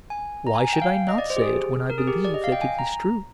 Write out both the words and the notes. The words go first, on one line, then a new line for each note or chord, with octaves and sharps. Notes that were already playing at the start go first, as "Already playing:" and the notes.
Why should I not say it when I believe that it is true?
G#5
A#5
G#5
G#5
G5
F5
D#5
D5
C5
G4
G#4
A#4
G#4
G4
D5
D#5
F5
G5
G#5
A#5